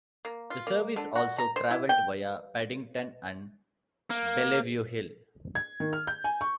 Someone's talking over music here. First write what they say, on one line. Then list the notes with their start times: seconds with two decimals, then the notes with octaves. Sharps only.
The service also travelled via Paddington and Bellevue Hill.
0.25 A#3
0.50 F4
0.67 A#3
0.96 D3
1.15 F#4
1.38 A#5
1.56 C5
1.71 E4
1.89 G5
4.10 A#3
5.55 G#6
5.80 D#3
5.93 F6
6.07 G6
6.24 G#5
6.41 C#6